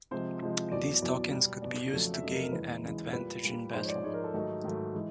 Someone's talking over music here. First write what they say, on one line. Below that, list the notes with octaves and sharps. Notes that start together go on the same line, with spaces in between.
These tokens could be used to gain an advantage in battle.
C3 F3 G#3 C5
C3 F3 G#3
E2 B2 F#3 D5
E2 B2 F#3 D5
B2 G3
B2 G3 D5
F2 C#3 F#3 A3
E5
F2 C#3 F#3 A3 D#5
A#4
A#4
E2 C#3 E3 G#3 B4
E2 C#3 E3 G#3
A#2 G3 B4
A#2 G3
G#2 F3 G#3 C5
C#5
D5
G#2 F3 G#3 C#5
A#4
A4
G#2 D#3 F#3 A3 D#4
G#2 D#3 F#3 A3
E3 G#3